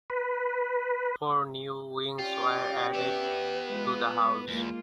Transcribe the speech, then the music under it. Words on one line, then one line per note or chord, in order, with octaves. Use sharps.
Four new wings were added to the house.
B4
C#4 F4 G4 C#5 D5
B3 B4 E5
G#3 F4
E2 G#3 A#3 F4